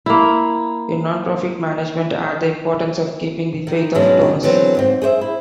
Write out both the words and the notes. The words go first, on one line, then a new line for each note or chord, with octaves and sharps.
In nonprofit management, add the importance of keeping the faith of donors.
A#3 E4
D#3
G#2 B2 F#3 G#3 C#4 D4
D3 E3 F#3 B3 C4 C5
D#2 G#2 C4
G#4 C5 D5 E5
E4